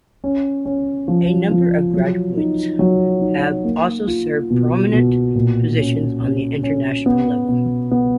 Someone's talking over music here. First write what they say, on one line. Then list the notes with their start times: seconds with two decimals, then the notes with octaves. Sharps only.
A number of graduates have also served prominent positions on the international level.
0.24 C#4
0.65 C#4
1.08 F3
1.51 F3
1.93 F#3
2.37 D#4
2.79 F#3
3.21 D#4
3.64 A#3
4.07 F4
4.50 B2
4.92 B2
5.35 A#2
5.78 C#4
6.21 C#4
6.63 C#4
7.06 B3
7.49 B2
7.91 B3